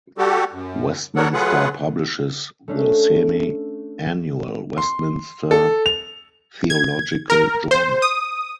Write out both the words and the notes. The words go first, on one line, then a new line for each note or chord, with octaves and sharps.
Westminster publishes the semi-annual "Westminster Theological Journal".
G3 F#4 G4 A4
F#2
B3 D4 A4 A#4 C#5 F#5
F#3 A3 F4 G#4 B4 F#5
A3 C#4 D4
C6
A4
F7
G#6
A#4
C5
D#6